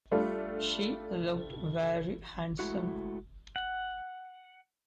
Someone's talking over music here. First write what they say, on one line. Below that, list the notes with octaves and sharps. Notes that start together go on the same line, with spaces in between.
She looked very handsome.
G3 A3 D4 F4 A4
G#3 A3 E4 F#4
F#5